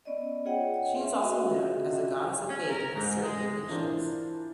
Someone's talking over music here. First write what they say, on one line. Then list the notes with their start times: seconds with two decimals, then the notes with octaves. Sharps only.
She is also known as the goddess of fate in certain depictions.
0.05 B3 C#4 D5 D#5
0.45 F4 G#4 C#5 D#5 F#5 G5
0.93 E5 C6
1.19 C#4 F4 F#4 D#5 E5 E6
2.50 C#4
2.70 A#4
2.95 G#2
3.24 G#3
3.69 E3 D4 F4 A#4 C5 D5